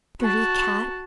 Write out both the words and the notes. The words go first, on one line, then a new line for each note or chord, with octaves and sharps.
'Dirty cat!
F#4 A5